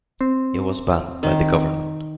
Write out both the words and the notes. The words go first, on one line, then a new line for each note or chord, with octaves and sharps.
It was banned by the government.
C4
D#3